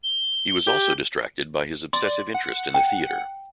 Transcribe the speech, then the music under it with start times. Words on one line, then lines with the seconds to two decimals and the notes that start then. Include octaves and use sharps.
He was also distracted by his obsessive interest in the theater.
0.04 G7
0.67 G4
1.93 D5 C6
2.34 F#5
2.74 G5